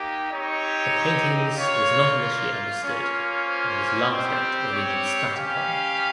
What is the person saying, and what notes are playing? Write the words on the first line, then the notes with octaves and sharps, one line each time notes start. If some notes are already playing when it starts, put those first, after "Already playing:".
The paintings was initially not understood and was laughed at or even spat upon.
Already playing: A#3 D#4 G4
C4 D#4 G4 C#5
A#3 F4 C#5
A#3 C#4 F4 C#5
C5
G3 C4 G4
C#5
G3 C#4 G4 F5